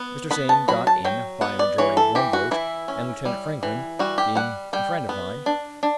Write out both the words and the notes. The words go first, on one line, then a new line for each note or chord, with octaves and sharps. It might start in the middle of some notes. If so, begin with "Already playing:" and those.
Mr. Sain got in by a majority of one vote, and Lieutenant Franklin, being a friend of mine.
Already playing: B3
B3 B5
A5
F#3 B5
A5
F#3 G5
B3 F#5
D5
E3 C#5
A4
E3 G4
F#4
E3 E4
C#4
G3
E3
G3 F#4
G4
G3 F#5
G3 G5
B3
D4
D4